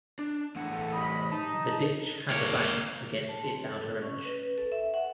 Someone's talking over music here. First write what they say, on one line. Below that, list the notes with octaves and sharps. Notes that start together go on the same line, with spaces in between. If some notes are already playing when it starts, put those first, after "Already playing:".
The ditch has a bank against its outer edge.
D4
A2 E3 A4 F#5
C3 D#5 B5
D#4 A5
A#3 C#5
A5
C4
A4
C#4
B4
A4
E5
F#5